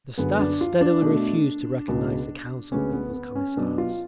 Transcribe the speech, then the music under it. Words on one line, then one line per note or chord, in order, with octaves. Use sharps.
The Staff steadily refused to recognise the Council of People's Commissars.
F#2 D3 G#3 B3
D4
F4
D4
B2 A3
C#2 B2 G#3
D2 D3 G#3 B3 C#4
B3
B3
C#4
B2 F#3 B3 D4
F4